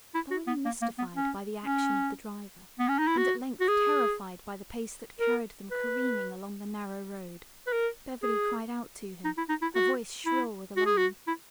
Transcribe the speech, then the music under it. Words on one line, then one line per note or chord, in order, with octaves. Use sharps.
Thoroughly mystified by the action of the driver and at length terrified by the pace that carried them careening along the narrow road, Beverly cried out to him, her voice shrill with alarm.
E4
F#4
B3
A#3
A#3
B3
C#4
C#4
B3
C#4
D#4
E4
F#4
F#4
G#4
A#4
B4
B4
A#4
G#4
D#4
E4
D#4
E4
F#4
E4
F#4
G#4
F#4
E4